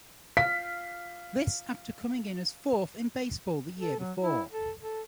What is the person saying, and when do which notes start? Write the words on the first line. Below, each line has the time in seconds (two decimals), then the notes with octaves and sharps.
This after coming in as fourth in baseball the year before.
0.37 F5 B6
3.79 A4
3.99 F#3
4.21 E4
4.52 A4
4.80 A4